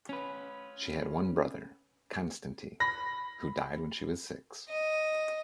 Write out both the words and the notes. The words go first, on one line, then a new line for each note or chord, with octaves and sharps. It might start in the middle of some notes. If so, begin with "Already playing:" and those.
She had one brother, Konstanty, who died when she was six.
C#4 B4
B5 A#6
D#5